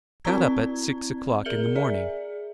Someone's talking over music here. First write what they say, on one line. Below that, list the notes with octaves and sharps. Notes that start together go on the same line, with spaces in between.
I got up at six o'clock in the morning.
C4 E4 D5 A#5 G#6
G#4 A#4 C#7 F#7 G7
G#4 D5 E5